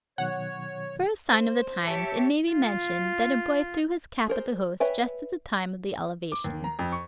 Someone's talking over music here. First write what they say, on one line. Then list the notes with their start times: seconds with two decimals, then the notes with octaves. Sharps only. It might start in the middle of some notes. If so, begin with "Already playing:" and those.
For a sign of the times it may be mentioned that a boy threw his cap at the Host just at the time of the Elevation.
0.18 B2 D#3 F#3 C#5 F#5
1.32 C5
1.87 G4 C#5 E5 A5
2.52 F4
4.28 G#4 A#4 C5
4.80 B4 C#5 E5 G5 G#5
6.32 D6
6.44 D#2
6.64 A#5
6.79 F2
6.92 C#6